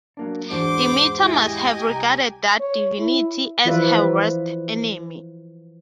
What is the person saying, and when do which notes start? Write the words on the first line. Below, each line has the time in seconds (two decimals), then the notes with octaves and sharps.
Demeter must have regarded that divinity as her worst enemy.
0.17 F#3 A#3 D4
0.50 E2 G#2 D4 F#4 C5 C6 D6
1.21 E4 G4 D#5 G#5
1.87 C2 A#5
2.60 C#5
2.99 E4
3.65 E3 F3 F4 B4 D5 E5